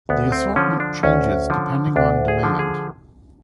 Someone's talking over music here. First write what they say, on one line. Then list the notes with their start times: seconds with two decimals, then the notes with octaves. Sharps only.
The assortment changes depending on demand.
0.09 D2 B3
0.32 C4
0.56 D3 F3 C#4
0.80 D4
1.03 D2 C#4
1.50 D3 F3
1.96 D2 D4
2.28 G#4
2.43 D3 F3
2.59 G#4